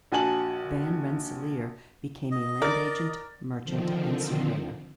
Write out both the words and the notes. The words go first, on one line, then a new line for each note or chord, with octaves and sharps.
Van Rensselaer became a land agent, merchant, and surveyor.
A#1 F#4 G#5 A5 F#7
D#5
A#4 D5 A6
D3 D#3 F3 C4